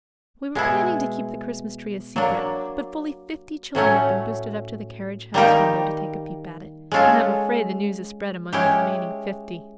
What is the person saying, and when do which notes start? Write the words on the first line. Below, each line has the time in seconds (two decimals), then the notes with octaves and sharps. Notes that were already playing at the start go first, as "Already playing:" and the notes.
We were planning to keep the Christmas tree a secret, but fully fifty children have been boosted up to the carriage house window to take a peep at it, and I am afraid the news has spread among the remaining fifty.
0.55 B2 G#3 B3 E4
2.16 F#3 A#3 D4
3.75 A2 F#3 A3 C#4
5.34 D#3 G3 A#3 D#4 G4
6.92 G#3 C#4 F4 A4
8.53 G#3 C#4 E4 G4